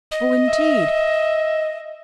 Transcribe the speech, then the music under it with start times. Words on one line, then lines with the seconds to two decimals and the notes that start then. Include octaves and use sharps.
'Oh, indeed!
0.12 D#5
0.48 E5